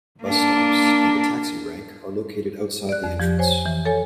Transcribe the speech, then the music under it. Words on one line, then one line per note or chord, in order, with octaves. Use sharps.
Bus stops and a taxi rank are located outside the entrance.
A#3 D4
D5 F#6
F2
F3 G4 G6
C5 C#5 G#5
E3
A4 C#5 G#5